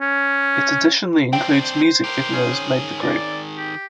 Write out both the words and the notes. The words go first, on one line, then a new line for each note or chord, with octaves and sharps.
It additionally includes music videos made the group.
C#4
C4 D4 C5 G5
G4 A#4
D#3 C#4 G#4
D5
G4